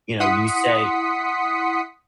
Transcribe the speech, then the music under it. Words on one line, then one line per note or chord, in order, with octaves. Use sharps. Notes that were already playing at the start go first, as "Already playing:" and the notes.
you know, you say
E4 F#5 C6 D#6 B6 C#7